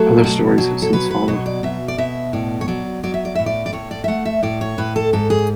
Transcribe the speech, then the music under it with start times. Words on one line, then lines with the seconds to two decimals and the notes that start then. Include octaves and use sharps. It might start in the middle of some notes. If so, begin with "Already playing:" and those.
Other stories have since followed.
Already playing: F#3 A3 A4
0.24 B2
0.58 F#3
0.82 A4
0.93 F#3 B4
1.11 B4
1.28 B2 C#5
1.46 D5
1.63 B2 E5
1.88 D5
1.98 B2 E5
2.33 A2 D5
2.61 C#5
2.68 F#3 D5
3.03 F#3 D5
3.14 E5
3.25 D5
3.35 A2 E5
3.46 D5
3.66 D5
3.73 A2 C#5
3.91 D5
4.04 E5
4.08 A3 F#5
4.25 E5
4.43 A2 D5
4.61 C#5
4.78 A2 B4
4.96 A4
5.13 G#2 A4
5.30 G#4